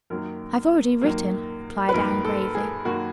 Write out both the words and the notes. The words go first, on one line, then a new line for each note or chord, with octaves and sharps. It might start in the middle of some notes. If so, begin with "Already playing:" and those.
"I have already written," replied Anne gravely.
F#2 D#3 F#3 A#3 A#4
F#2 D#3 F#3 A#3
B4
F#2 D#3 F#3 A#3 A#4
A4
G#4
F#2 D#3 F#3 A#3 F#4